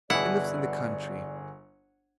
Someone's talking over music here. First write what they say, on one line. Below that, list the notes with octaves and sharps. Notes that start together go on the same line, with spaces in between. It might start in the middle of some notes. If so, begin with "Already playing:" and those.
He lives in the country.
G1 B2 E3 E4 G#4 D5 F#5